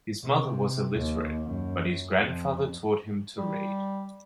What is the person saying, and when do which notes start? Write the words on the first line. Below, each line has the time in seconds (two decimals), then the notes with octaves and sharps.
His mother was illiterate, but his grandfather taught him to read.
0.23 C3
0.97 D#2
1.46 F#2
2.19 F2
3.38 G3